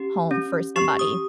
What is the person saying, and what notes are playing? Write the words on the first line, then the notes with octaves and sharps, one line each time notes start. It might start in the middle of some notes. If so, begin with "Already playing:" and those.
home for somebody.
Already playing: C#4 G4
C#4
G4 C#6
D#6